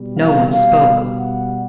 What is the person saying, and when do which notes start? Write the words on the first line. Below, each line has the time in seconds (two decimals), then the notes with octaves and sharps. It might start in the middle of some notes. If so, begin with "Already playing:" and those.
No one spoke.
Already playing: B2 G3
0.17 F5
0.51 F5
1.17 F#5